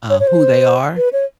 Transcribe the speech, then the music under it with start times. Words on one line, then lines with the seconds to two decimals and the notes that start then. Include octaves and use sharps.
uh, who they are,
0.10 C#5
0.20 C#5
0.27 C5
0.97 B4
1.13 C#5